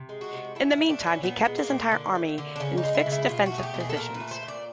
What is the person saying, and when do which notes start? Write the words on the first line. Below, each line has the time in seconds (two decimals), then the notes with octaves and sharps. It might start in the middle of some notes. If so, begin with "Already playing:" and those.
In the meantime, he kept his entire army in fixed defensive positions.
Already playing: C3
0.09 G#3
0.21 F#4
0.33 C3
0.55 A2 E4
0.72 E4
0.78 A3
0.89 D4
1.01 A2
1.07 C#4
1.23 A#2 B3
1.47 G#3
1.58 A#3
1.69 A#2
1.91 D3
2.15 A3
2.38 D3
2.56 D4
2.60 C#3 C#4
2.77 D#4
2.83 G#3
2.95 E4
3.06 C#3
3.12 E4
3.29 B2 F4
3.46 F#4
3.52 A3
3.58 G#4
3.63 G4
3.74 B2
3.80 G#4
3.89 A4
3.97 A#2 A#4
4.14 B4
4.20 A3
4.31 C5
4.43 A#2
4.48 D5